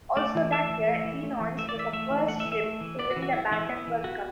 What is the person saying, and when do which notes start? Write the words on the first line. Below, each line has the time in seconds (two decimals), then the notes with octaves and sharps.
Also that year, "Illinois" was the first ship to win the Battenberg Cup.
0.17 A3 D5
0.35 E3
0.52 A3 E5
0.70 E3
0.88 A3
1.05 E3
1.23 A3
1.41 E3
1.58 A3 E5
1.69 D5
1.75 E3 E5
1.93 A3 E5
2.11 E3
2.28 A3 F#5
2.40 E5
2.45 E3
2.52 E5
2.64 A3
2.81 E3
2.99 B3 D5
3.11 F#4
3.16 E3
3.22 F#4
3.33 B3 E4
3.52 E3 E4
3.69 B3
3.87 E3
4.04 B3 F#4